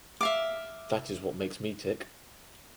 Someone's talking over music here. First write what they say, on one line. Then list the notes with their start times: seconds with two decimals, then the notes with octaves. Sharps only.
That is what makes me tick.
0.21 E5 F5 D6